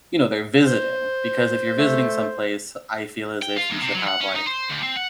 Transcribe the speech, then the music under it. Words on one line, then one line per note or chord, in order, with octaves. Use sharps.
you know, they're visiting. Because if you're visiting someplace, I feel as if you should have like
C5
A3
G5
F4
E2
C3
F#3
F#5
C#4
D#4
C5
D2
C4
F#5